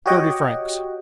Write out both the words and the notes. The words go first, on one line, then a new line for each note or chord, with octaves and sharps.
"Thirty francs."
F#4 G4 C#5 D#5 F#5 G5